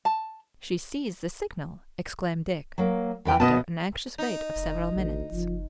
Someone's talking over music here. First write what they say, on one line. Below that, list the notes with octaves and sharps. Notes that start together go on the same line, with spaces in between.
"She sees the signal!" exclaimed Dick, after an anxious wait of several minutes.
A5
F#3 A#3
E2 B4 G5
B2 B3 D#5 A5
D#4
F1
A1 D2
F#1 F3